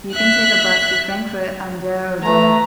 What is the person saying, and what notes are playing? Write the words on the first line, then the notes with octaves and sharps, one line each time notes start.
You can take a bus to Frankfurt an der Oder.
E5 F#6
A3 B4 A#5